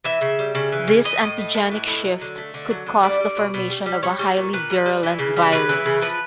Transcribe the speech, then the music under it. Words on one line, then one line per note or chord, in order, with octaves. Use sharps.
This antigenic shift could cause the formation of a highly virulent virus.
E3 E5
C#3
G3
C#3
E3
C#3
E3 D#5
A2
A3
A2
E3
A2
F#3
D3
A3
D3
F#3
D3
G3 D5
G3
B2
B2
G3
G3
G3 C#5
G3
A#2
A#2 B4
G3
G3
E3
C#3
G3
C#3 B4
E3
C#3
F3 B4